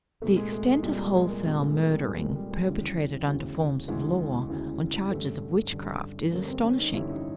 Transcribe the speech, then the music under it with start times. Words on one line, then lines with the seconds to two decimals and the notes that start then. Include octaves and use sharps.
The extent of wholesale murdering perpetrated under forms of law, on charges of witchcraft, is astonishing.
0.22 C2 A#2 A3
0.37 G#3
0.52 A3
0.67 G#3
0.83 C2 A#2 G3
0.99 G3
1.14 G#3
1.29 A#3
1.44 C2 A#2 G#3
1.59 A3
1.75 A#3
1.89 G3
2.05 C2 A#2 G#3
2.20 G#3
2.36 G3
2.51 G#3
2.66 E1 D2 C#3 E3 G3
3.27 E1 D2 C#3 E3
3.88 E1 D2 C#3 E3 G#3
4.49 E1 D2 C#3 E3
5.11 A1 G2 D3 A3
5.72 A1 G2 D3
6.32 A1 G2 D3 A#3
6.48 C4
6.64 C#4
6.78 D#4
6.93 A1 G2 D3 E4
7.09 D#4